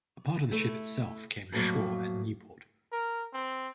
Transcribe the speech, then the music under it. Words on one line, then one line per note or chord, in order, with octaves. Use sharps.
A part of the ship itself came ashore at Nieuport.
A3 E4
F2 A2 F3 F#3 A#3
A#4
C4